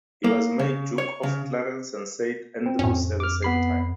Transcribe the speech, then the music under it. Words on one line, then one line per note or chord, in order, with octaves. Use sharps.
He was made Duke of Clarence and Saint Andrews at the same time.
A#3
C#3
C#5
C#3
C4
F2 A2 C#4
D6 F6
B3 B5 C7